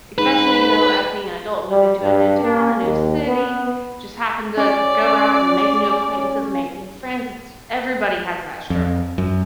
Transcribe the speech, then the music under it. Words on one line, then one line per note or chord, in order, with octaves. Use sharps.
especially, you know, as being an adult, moving to a new town, a new city, just happen to go out and make new acquaintances, make new friends, it's everybody has that struggle,
G#2 B4
G3
G2
A#3
D#2
B3
C#4 D5
F2
F#2